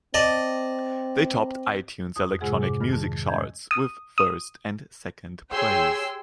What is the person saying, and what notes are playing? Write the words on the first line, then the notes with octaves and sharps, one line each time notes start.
They topped iTunes electronic music charts with first and second place.
C4 D5 D#5 A5
F2 D#6
G#2 C3 G#3 F4 G#4 F#5
D6
F2 D#3 B5 F6
A5
G#3 C#4 D#5 G6 G#6
D#6
D#6
G4 G#4 C#5 G5 C6 E6